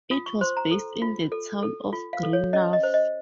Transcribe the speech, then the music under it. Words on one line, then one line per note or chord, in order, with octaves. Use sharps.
It was based in the town of Greenough.
F4 D#6
C#6
C5 C6
A#5
A4
F4
A4
A4
F4
F5
A4
C#5
C#4 D#5
D#5
C5
D#5